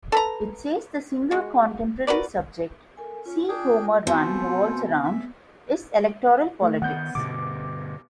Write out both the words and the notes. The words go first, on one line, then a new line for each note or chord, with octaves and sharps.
It says the "single contemporary subject" "See Homer Run" revolves around is "electoral politics".
A4 B4 A#5
G#3 F#4
F#4 A#4 B4 D5
A4 A#4 G#5
C#4 F4
D4 G#4 G5
B2 C4 F4 A4 C5 G#5
E5
A3
D#3 B3 F#5 G6
G2 B2 D3 D6